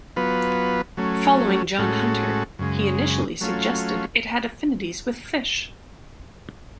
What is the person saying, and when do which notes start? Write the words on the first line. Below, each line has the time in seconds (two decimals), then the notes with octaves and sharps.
Following John Hunter, he initially suggested it had affinities with fish.
0.16 F#3 B3 F4 B4
0.97 F#3 A3 C#4
1.78 A2 G#3 C#4 F#4 A4
2.59 F#2 C#3 G#3
3.41 F#3 A3 C#4 F4